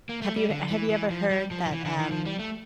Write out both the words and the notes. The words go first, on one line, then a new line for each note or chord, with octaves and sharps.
Have you have you ever heard that, um,
A#3
A3
G3
D3
E3
E3
F3
G3
F3
F3
E3
D3
E3
F3
G3
A3